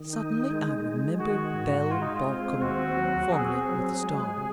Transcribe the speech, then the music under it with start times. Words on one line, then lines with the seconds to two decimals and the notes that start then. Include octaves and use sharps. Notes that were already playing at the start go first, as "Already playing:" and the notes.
Suddenly I remembered Belle Balcom, formerly with the Star.
Already playing: D#3
0.13 D#4
0.50 G#3
0.85 G#3
1.20 D#3 F#4
1.55 G#2
1.91 G#3 F4
2.02 D#4
2.15 F4
2.26 C4
2.61 D#2 F#4
2.96 F#3
3.32 C4 G#4
3.68 F#3
4.03 G#3
4.38 C3